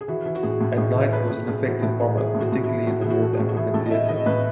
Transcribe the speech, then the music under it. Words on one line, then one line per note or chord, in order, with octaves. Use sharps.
At night it was an effective bomber, particularly in the North African theatre.
G#4
E3 F#4
E3
F#4
A2 G#4
A2
A2 G#4
E3
A3 B4
A2
A2 G#4
E3 F#4
A2 E4
A3 G#4
E3 G#4
A2
F#4
A2
E4
E3
A2 F#4
E3 G#4
F#4
A3
G#4
A2
F#4
E3 G#4
A2 A4
D#5
A3 E5
E3 D#5
A2 B4